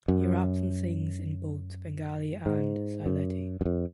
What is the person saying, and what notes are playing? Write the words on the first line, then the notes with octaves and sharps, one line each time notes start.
He raps and sings in both Bengali and Sylheti.
F#2
G#2
F#2
F#2
F2